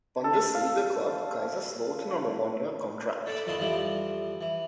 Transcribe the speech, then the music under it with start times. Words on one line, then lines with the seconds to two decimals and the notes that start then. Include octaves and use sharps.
Bundesliga club Kaiserslautern on a one-year contract.
0.24 A4
0.55 F5
3.26 A4 C#5 D5 E5 A5 B5
3.47 F2 D#3 E4 D5 A5 C6
3.58 F2 E3 F3 G3 E4 G5
4.41 E3